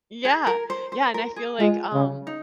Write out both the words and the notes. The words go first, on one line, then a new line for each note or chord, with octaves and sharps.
Yeah, yeah, and I feel like, um,
G#4
A#4
C5
C5
A#4
G#4
G#3 F4
C#3
D#4